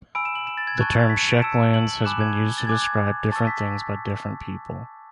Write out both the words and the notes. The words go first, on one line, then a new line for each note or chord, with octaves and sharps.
The term Czech lands has been used to describe different things by different people.
G#5 B5 E6 D7
E7
F#7
E7
A6
G#6
A5 C#6 F#6 G#6
A6
G#6
B6
C#7
D7
A5 E6 E7
F#7
F#7
G#5 B5 D6 F#6 E7
G#6
A6
G#5 D6 F#6 G#6
G#6
A5 C#6 E6 A6
B6